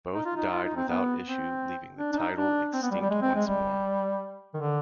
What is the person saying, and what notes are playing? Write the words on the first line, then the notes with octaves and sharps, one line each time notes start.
Both died without issue, leaving the title extinct once more.
D#4
F4
D#4
F4
D#4
C4
B3
C4
D4
D4
D#4
D4
C4
B3
G3
G3
G#3
C4
G#3
G3
D#3
D3